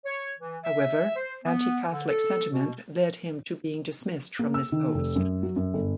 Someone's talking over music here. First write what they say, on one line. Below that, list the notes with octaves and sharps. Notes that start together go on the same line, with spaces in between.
However, Anti-catholic sentiment led to him being dismissed from this post.
C#5
E3
E5
C5
B3
D3
A4
B2
A#3
E6
D#3
F1
F#2
F#3
F#2
G1